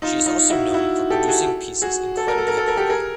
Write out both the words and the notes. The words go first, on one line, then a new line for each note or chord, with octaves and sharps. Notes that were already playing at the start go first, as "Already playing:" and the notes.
She is also known for producing pieces incredibly quickly.
D#4 F4
D#4 F4
E4 F#4
E4 F#4
G4 A4
F#4 G#4
F#4 G#4
A4
A#4
A4
A#4
A4
A#4
G4 A4
G#4 A#4